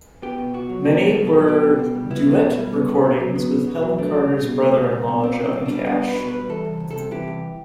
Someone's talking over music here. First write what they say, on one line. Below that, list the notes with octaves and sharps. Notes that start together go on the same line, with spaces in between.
Many were duet recordings with Helen Carter's brother-in-law Johnny Cash.
B3 G4
B2
B2 F#4
F#3
B3 G4
B2
A4
B2
A4
F#3
B3 G4
B2
B2
G3
B3 E4
B2
B2
G3
B3
B2
B2
F#3
B3
B2
B2
F#3
A3 D4
C2
C2
B2
A3
C2
C2
B2
B3 C4
B2
C4
B2
G3 D4
B3 D4
B2
B4
B2
B4
G3
E3 A4
C2
C2
A4
C3
E3 G4
C2